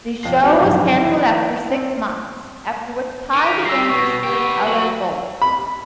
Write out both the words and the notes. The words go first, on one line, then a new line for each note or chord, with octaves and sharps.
The show was cancelled after six months, after which Ty began pursuing other goals.
F2 G5 C7
B3 C4 D#4 F#4 B4
F#1 F2 G#2 D3 E3
E3 E4
C4
D#3
B6 D7 F7
G3 G4 E6 A#6 C7
B2 C#6
B3 G4
F#3 C#6 F#7
B5